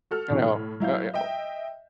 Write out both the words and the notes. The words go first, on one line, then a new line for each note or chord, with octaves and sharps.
you know, uh yeah, well
F#4 A4 F6
B2 D3 E3
A2
F#3 E4 F5 G6
D#5 E5 G5